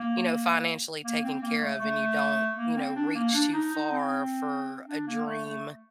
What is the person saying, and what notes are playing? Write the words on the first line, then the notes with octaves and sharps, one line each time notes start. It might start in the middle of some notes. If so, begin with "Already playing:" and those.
you know, financially taken care of and you don't, you know, reach too far for a dream,
Already playing: A#3
A#3
C4
A#3
A3
A3
A#3
C4
D4
A#3
D4
D#4
D#4
C4
D4
A#3
A3
A3